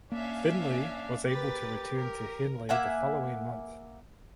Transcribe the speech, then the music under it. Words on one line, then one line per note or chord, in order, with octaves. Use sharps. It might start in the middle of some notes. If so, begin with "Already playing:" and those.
Finlay was able to return to Henley the following month.
A#3 C#4 D4 E5 F5
G4 A#4 B4 A6
A#4
A#3 E5 F#5 G#5